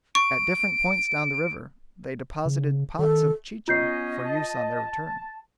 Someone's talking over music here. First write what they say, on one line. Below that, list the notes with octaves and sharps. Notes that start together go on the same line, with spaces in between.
At different points down the river they deposited pots of chicha for use on their return.
C#6 D7
C#3
D#3 A4
B3 C#4 F4 D#5 G6 C7
A5